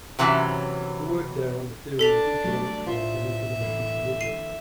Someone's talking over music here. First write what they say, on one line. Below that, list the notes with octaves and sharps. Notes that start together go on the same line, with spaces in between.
He worked there on the theory of economic growth and economic equilibrium.
C3 E3 F#3 C#4
D4 A4 D5 B6 F7
F#3 G3 A3
A2 F4 C5 E5
D3 E3 A#3
C7 D#7